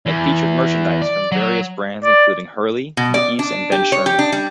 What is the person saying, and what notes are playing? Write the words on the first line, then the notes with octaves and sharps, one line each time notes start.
It featured merchandise from various brands including Hurley, Dickies, and Ben Sherman.
E2
D5
F#3
D5
B2
D5
D4
G4
C#5
G4
D4
G3